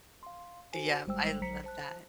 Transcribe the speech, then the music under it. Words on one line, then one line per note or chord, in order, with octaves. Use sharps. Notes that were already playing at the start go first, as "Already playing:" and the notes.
Yeah, I love that.
F5 C6
F#4 A4 C5 G#5
G#1 G3 G#3 C5 G5 E6
A#1 F#3 C5 A#5 B6 C#7
C5 A5 F#6